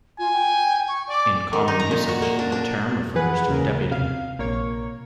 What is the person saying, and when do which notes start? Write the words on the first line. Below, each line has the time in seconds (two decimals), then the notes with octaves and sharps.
In common usage, the term refers to a deputy.
0.19 F4 G#5
0.33 G5
0.88 C#6
1.10 D5 D6
1.53 D#3
1.68 D#4
1.80 A#5
1.91 A#2
2.09 F#4
2.22 A#3
2.39 D4
2.52 D4
3.15 E3 G#4 B4 F#5
3.48 D#2 C#3 A#4
3.92 C3 F5
4.38 A#1 A#3 C#5